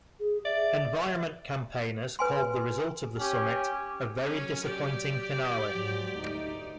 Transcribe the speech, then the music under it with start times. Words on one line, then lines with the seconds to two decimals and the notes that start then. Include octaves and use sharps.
Environment campaigners called the result of the summit "a very disappointing finale".
0.20 G#4
0.45 D5 E5
2.19 B4 G#5 C6
3.20 C#4 G4
4.25 F#3 C#4
4.62 G4 D5
5.69 G#2 F#3
6.18 D2 D#4